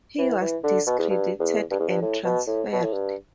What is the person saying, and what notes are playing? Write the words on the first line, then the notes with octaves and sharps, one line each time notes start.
He was discredited and transferred.
E3
E3
D3
B2
E2
G2
E2
G2
E2
G2
A2
B2
A2
B2
A2
G2